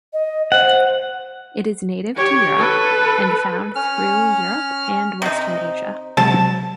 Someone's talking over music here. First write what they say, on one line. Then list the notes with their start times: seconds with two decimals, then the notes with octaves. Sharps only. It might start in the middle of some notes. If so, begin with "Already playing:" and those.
It is native to Europe, and found through Europe and Western Asia.
0.13 D#5
0.52 C5 F#5
2.16 G4 C#5
2.56 A4 B4
3.76 C#4 F6
5.22 C3 D#4
6.17 C3 F#3 G#3 A5